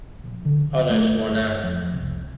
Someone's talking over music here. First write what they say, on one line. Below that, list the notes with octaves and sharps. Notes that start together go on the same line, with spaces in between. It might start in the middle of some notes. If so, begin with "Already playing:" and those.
Others were not.
A#1
D3
F#1
A3
G1
F2
C2